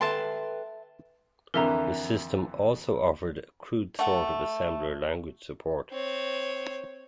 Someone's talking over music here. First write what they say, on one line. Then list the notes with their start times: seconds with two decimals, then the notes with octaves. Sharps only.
The system also offered a crude sort of assembler language support.
0.01 A4 B4 E5 G5 A5 C6
1.54 F2 D3 E3 A#4 E5 A#5
3.99 A3 F#5
5.92 C4 C#5